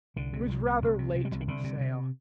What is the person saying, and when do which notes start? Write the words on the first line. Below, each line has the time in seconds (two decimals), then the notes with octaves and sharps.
It was rather late in the sale.
0.16 C2 D3
0.33 C3
0.49 C2
0.66 C3
0.82 C2
0.98 C3
1.15 C3
1.25 G3
1.31 C2 F#3
1.40 D#3
1.48 C2 D3
1.64 C3
1.81 C3